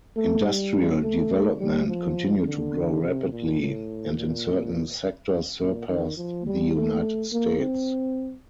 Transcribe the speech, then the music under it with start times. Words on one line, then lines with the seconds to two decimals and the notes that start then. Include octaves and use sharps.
Industrial development continued to grow rapidly, and in certain sectors surpassed the United States.
0.16 A3
0.45 G3
1.02 A3
1.60 G3
1.88 F3
2.46 D3
3.02 C3
3.32 A#2
3.61 A2
4.17 A#2
5.60 A#2
5.88 D#3
6.17 F3
6.47 G3
6.75 A3
7.32 A#3
7.60 C4